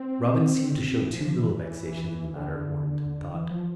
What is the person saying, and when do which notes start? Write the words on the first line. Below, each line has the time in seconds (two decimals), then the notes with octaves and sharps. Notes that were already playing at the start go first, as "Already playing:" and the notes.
Robin seemed to show too little vexation in the matter, Warrenton thought.
Already playing: C4
0.88 C4
1.00 E3
1.13 F3
1.25 F3
1.37 E3
2.36 D3
3.34 E3
3.51 F3